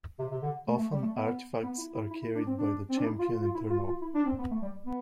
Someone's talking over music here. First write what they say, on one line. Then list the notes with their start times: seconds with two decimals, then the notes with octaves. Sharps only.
Often artifacts are carried by the Champion Eternal.
0.19 C3
0.31 C3
0.43 D3
0.68 A3
0.79 A3
0.92 G3
1.03 A3
1.15 B3
1.63 B3
1.78 E4
1.95 E4
2.10 E4
2.23 E4
2.35 D4
2.47 C4
2.59 D4
2.90 C4
2.97 D4
3.06 E4
3.19 F4
3.30 F4
3.42 F4
3.55 E4
3.70 F4
3.86 F4
4.02 E4
4.15 D4
4.26 C4
4.39 B3
4.51 A3
4.62 G3
4.86 B3